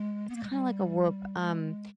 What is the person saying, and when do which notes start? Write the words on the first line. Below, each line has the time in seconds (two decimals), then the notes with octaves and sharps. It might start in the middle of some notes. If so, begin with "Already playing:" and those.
It's kinda like a Whoop. Um,
Already playing: G#3
0.29 B3
0.36 A#3
0.43 G#3
0.50 G3
1.40 G#3